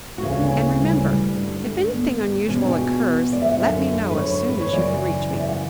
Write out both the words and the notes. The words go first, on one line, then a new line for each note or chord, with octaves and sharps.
"And remember, if anything unusual occurs, let me know as soon as you can reach me."
F#4
D2 C#3 E3 E4
C#4
D4
C#4
G3
G3
G3
G2 D3
A3
C#4
B3
E2 B2 C#4
D4
G4
F#4
D5
E5
F#5
F#2 D3 E5
B4
C#5
B4
C#5
F#2 C#3 E3 D5
D5
E5
F#5